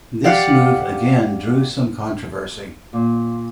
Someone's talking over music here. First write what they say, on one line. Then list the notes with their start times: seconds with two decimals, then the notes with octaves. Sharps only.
This move again drew some controversy.
0.24 G4 D5 F5 F#5
2.93 A#2